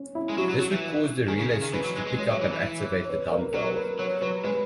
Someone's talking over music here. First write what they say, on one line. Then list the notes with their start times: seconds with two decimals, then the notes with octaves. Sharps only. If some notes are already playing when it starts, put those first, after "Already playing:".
This would cause the relay switch to pick up and activate the dump valve.
Already playing: C#4
0.15 E4
0.29 G#3
0.38 F#3 F#4
0.49 F#3
0.60 F#3
0.72 E3
1.28 D#3 G#4
1.39 C#3
1.51 C#3
1.63 D#3
1.74 E3 B4
1.84 F#3
1.96 G#3
2.07 G#3
2.18 G#3 C#5
2.30 F#3
2.41 E3
2.53 E3
3.05 C#5
3.09 B4
3.31 A#4
3.54 F#3 A#4
3.77 B4
3.99 F#3 C#5
4.22 F#3 B4
4.44 G#3 B4